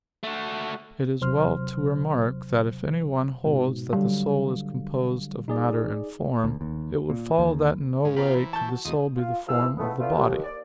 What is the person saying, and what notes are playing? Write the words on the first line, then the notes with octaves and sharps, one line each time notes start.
It is well to remark that if anyone holds that the soul is composed of matter and form, it would follow that in no way could the soul be the form of the body.
A3 F#4
D#2 C3 F#3 C5 C6 F6
G#2 B2
D3 F#3 G3 F5
D#4 G#4 D5
D2
D#2
A#2
D#2
G#2 C#3
B3 F4 G4 C5 A#5 B5
E3
A5 C#6 G6
F#4
D#2 B2 G#3 F4 D#6
F4
E2 F3 E4 A#4 F5 E6
C#2 A2 A3 B3
A3 B3 D4 E4 F4
D#2
D5